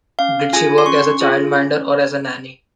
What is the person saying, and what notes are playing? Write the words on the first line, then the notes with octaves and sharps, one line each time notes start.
Does she work as a childminder or as a nanny?
C#4 F5
F4 G#4 G#5
C6
C#4 C#6
F4 G#4
C#4